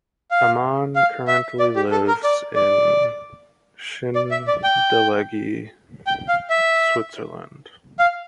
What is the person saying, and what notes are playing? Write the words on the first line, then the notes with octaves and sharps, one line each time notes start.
Ammann currently lives in Schindellegi, Switzerland.
F5
F5
E5
D5
G4
A4
A#4
D5
D5
D5
E5
D5
G5
G5
F5
E5
F5